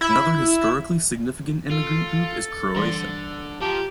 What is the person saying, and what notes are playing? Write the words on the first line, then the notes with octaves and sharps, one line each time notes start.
Another historically significant immigrant group is Croatian.
E4 E5
F4 A4
D3 E3 G3 D5
F3 G4 A5 A#5